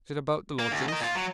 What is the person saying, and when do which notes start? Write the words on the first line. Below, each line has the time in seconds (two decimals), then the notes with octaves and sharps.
"Is it about the lodgings?"
0.59 A#3
0.71 D2
0.89 A#4 D#5
1.01 A#2 F4
1.15 F#3